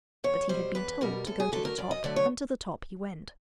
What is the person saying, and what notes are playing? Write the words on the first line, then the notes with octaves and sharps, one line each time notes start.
But he had been told to go to the top, and to the top he went.
E2 C#5
B2 G3 C5
E2 B4
B2 G3 A#4
F#2 A4
G#4
D3 F#3 A3 A4
A#4
F#2 D5
D#5
D3 F#3 A3 D5
C#5